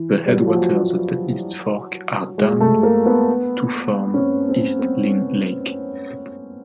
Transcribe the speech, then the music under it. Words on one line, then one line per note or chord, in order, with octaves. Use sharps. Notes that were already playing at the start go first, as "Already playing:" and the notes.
The headwaters of the East Fork are dammed to form East Lynn Lake.
Already playing: E3
G3
F#3
F3
F#3
G#3
A3
A#3
B3
C#4
C4
C4
C4